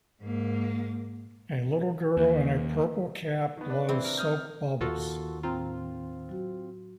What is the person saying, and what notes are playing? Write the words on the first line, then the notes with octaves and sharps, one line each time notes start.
A little girl in a purple cap blows soap bubbles.
G#2 A#3
D#2
D#3 B3
D4 B4
E3 C4
A#4
D#6 F6 G6
D#2 F4 F#4 A4
A2 C4 F4 A#5
F#3 F#4